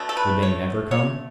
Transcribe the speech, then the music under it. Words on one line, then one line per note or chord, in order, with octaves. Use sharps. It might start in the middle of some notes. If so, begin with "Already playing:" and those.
Would they never come?
Already playing: B2 A3 D4
A4
B4
C#5
C#5